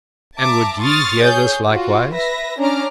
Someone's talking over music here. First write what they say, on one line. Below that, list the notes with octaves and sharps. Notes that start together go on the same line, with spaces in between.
And would ye hear this likewise?
E5 A5 A#5 D6
C6 C#6 D#6 F6 A6
G#4 C#5 G6
F4 F#4
B4 E5 A#6
C#4 D4 A#5 D6 F6